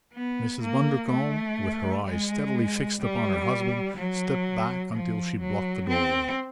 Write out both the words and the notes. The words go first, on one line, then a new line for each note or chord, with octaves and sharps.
Mrs. Bundercombe, with her eyes steadily fixed upon her husband, stepped back until she blocked the doorway.
B3
A#3
A3
G#3
G3
F#3
F3
F#3
C4